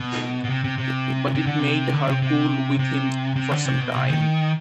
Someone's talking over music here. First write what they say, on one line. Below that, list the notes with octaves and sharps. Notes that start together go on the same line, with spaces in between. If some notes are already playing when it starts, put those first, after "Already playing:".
But it made her cool with him for some time.
Already playing: B2
B2
C3
C3
C3
C3
D3
C3
D3
C3
C3
C3
C3
D3
C3
B2
C3
D#3